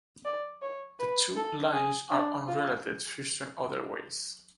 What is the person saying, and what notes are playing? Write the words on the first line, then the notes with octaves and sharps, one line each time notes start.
The two lines are unrelated systems otherwise.
D5
C#5
B4
A4
G#4
D4
F4